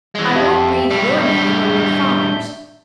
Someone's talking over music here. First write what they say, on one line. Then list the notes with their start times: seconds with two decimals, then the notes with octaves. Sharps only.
I won't breathe your name or your father's.
0.15 E3 G#3
0.36 F2 G4 E5
0.90 A2 G3
1.23 D4 E5 G6